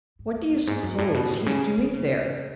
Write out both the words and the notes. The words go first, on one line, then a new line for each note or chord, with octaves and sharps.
What do you suppose he's doing there?
G#2
E2
F#2
G#2
F#2
A2
B2
A2
C#3
D#3
C#3